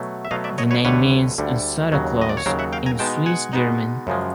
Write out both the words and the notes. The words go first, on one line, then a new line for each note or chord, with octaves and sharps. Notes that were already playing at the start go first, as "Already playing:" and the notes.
The name means "Santa Claus" in Swiss German.
Already playing: B2 F#3 A3
E5
B2 F#3 A3 D#5 F5
D5 E5
C#5 D#5
B4 C#5
D2 D3 G3 B4 C#5
D2 D3 G3
D#2 C#3 F#3
D#5
D5
C#5
D#2 C#3 F#3 A#4 C5
E5 F#5
F5 G5
G#5 A#5
B2 G#3 B3 D#4 G5 A5
F#5 G#5
B2 G#3 B3 D#4
F#2 C#3 F3 G#3